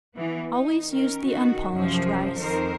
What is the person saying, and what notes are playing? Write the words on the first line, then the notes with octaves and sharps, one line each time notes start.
Always use the unpolished rice.
E3 B3
D#4
D#3 C#4 A#4
D#3 F#4
F#2 C3 F3
F2 D#3 A#4 C5